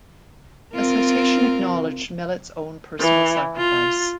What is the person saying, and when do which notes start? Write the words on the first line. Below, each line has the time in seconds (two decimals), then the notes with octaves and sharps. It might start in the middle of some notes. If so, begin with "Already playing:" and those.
The citation acknowledged Mellett's own personal sacrifice.
0.75 C4 F4 A#4
3.00 E3
3.56 F4